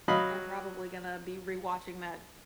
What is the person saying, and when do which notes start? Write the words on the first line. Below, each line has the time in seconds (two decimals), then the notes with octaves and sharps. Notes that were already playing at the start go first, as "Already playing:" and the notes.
am probably gonna be rewatching that
0.08 F#3 D#5 F5 B5